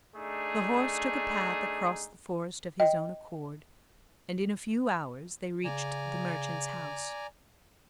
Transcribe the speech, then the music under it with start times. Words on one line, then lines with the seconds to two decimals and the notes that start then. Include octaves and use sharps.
The horse took a path across the forest of his own accord, and in a few hours they reached the merchant's house.
0.15 A3 D4 D#4 G#4
2.80 D#5 G5
5.65 C#3 D5 G#5 A#5